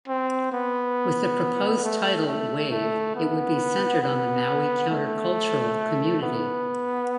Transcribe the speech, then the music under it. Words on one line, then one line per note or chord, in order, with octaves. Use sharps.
With the proposed title "Wave", it would be centered on the Maui countercultural community.
C4
B3
A3
A3
A3
B3
B3
A3
B3